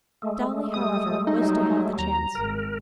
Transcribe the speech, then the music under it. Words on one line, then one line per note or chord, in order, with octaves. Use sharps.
Dolly, however, was to have the chance.
G#3 A3
G3 D#6
F#3 G3 D#4
D#2 A#5
G#1 A#4